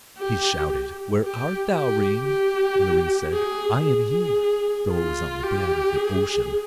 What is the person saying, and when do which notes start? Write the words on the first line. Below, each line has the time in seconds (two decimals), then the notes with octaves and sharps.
He shouted, 'Where art thou, ring?' And the ring said, 'I am here,' though it was on the bed of the ocean.
0.18 G4
1.23 G4
1.76 G4
2.28 G4
3.33 G#4
3.86 G#4
4.91 F4
5.43 G4
5.96 G#4